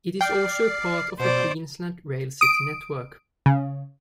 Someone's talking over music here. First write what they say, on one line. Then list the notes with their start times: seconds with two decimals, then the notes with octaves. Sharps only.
It is also part of the Queensland Rail City network.
0.21 D5 G5 F6 C7
1.19 B2 C5 D5
2.41 D#6 D7
3.46 C#3